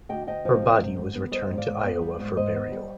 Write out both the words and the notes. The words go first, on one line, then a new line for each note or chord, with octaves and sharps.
Her body was returned to Iowa for burial.
D2 D#5 G5
D2 D#5 G5
F3
C3
G#2
G#2
B3
G3 C5 D#5
G#2
D5 F5
G#2
B3
G3
G#2
G#2 C5 D#5
B3
G3